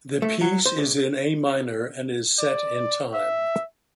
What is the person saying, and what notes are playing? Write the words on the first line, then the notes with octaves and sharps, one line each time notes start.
The piece is in A minor and is set in time.
A3
F#3
C5
C#2
D5
E5